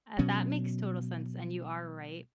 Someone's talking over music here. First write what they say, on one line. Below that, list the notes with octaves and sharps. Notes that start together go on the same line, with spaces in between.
Ah, that makes total sense. And you are right
B2 F#3 C#4